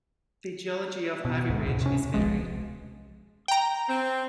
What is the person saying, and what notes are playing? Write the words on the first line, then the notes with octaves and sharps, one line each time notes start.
The geology of Ivybridge is varied.
B2
D2 G#2
E2 B2
C3 C#4
D1 B1 F3 G#3
G5 A#5
C4